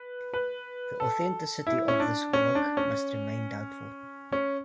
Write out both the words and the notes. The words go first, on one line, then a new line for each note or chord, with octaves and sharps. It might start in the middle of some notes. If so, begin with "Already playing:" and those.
The authenticity of this work must remain doubtful.
Already playing: B4
B4
A4
E4
C#4
D4
C#4
D4
C#4
C#4